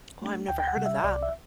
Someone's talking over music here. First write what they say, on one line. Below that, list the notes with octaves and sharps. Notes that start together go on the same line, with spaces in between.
Oh, I've never heard of that.
A3 D4
D2 G5
G5
F#5
C3 G3
E5
C2 D5
E5